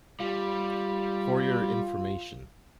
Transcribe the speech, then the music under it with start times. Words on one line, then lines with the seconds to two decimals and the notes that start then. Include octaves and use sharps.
For your information.
0.20 G3 F4